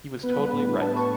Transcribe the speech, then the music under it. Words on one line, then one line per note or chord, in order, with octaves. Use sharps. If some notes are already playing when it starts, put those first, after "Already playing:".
He was totally right.
B3 B4
G3
A2
D4
B3 A5
G3 C#6